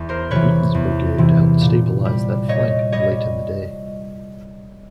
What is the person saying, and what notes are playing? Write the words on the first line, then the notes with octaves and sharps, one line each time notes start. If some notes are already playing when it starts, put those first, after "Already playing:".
Wheaton's brigade helped stabilize that flank late in the day.
Already playing: E2
A#4 C5
C3 E3 B4 C#5
E2
C3 E3
A#2
G3
A#2 C#5 D#5
G3 C#5 D#5